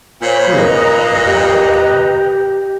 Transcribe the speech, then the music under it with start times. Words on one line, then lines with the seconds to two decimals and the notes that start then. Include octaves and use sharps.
"True," replied Barbicane.
0.22 A#2 C5 C#5 B5
0.58 A#4 B4 D#5 A#5
1.25 G4